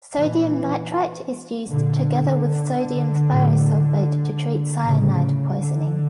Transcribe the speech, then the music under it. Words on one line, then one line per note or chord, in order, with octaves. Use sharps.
Sodium nitrite is used together with sodium thiosulfate to treat cyanide poisoning.
A#2 E3
A#2 D3
A2
A2 C#3
D3